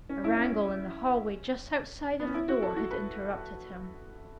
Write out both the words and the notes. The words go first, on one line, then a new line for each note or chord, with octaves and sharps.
A wrangle in the hallway just outside of the door had interrupted him.
C#4
E4
C#4
B3
C#4
E4
F#4
A4
F#4
B4